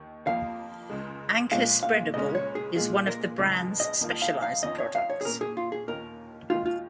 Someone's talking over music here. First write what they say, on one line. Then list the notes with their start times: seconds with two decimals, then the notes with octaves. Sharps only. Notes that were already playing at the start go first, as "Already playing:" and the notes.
Anchor Spreadable is one of the brand's specialised products.
Already playing: D#2 D#3
0.27 F2 F3 A#3 F4 F5
0.90 C#2 C#3 G#3
1.51 A#2 F3 G#3 C#4 F5
1.83 F5
2.14 C#2 C#3 G#3 C#4 D#5
2.35 C#5
2.55 G#4
2.76 A#2 G#3 F4 G#4
3.07 A#4
3.39 F2 C#3 F3 G#3
3.80 D#5
4.01 F2 D#3 A#3 F4
4.22 F5
4.42 F5
4.63 F2 D#3 C#4 F4 D#5
4.78 C#5
4.95 F5
5.10 C#5
5.21 G#4
5.25 A#2 A#3 C#4 A#4
5.41 G#4
5.57 F4
5.72 G#4
5.87 D#2 D#3 A#3 C#4 F4 A#4
6.50 D#2 D#3 G#3 F4
6.66 F4